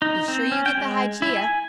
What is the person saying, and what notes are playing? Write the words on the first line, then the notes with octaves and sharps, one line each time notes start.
Be sure you get the Hygeia.
D#4
C4
C#4
G5
G#3
E4
G#5